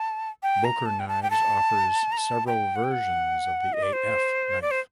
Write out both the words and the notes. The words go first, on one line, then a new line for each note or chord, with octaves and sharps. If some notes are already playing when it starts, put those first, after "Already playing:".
Boker Knives offers several versions of the A-F knife.
Already playing: A5
G5
A#5
A5
G5
A5
G5
A5
A#5
A5
G5
F#5
G5
F#5
D#5
D5
C5
D5
C5